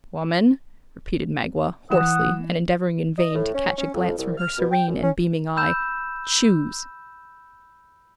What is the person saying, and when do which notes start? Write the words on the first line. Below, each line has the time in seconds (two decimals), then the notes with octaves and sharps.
"Woman," repeated Magua, hoarsely, and endeavoring in vain to catch a glance from her serene and beaming eye, "choose!"
1.90 E3 F#5 D#6 E7
3.19 D#5
3.35 A2
3.54 C#4
3.78 C#4
3.95 F2
4.18 C2
4.37 F6
4.58 B2
4.72 G5
4.88 F#2
5.02 C#4
5.56 B5 E6 G6 E7